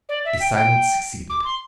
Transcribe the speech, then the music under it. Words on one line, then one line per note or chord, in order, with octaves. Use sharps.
A silence succeeded.
D5
E5
G5
G5
D6
C6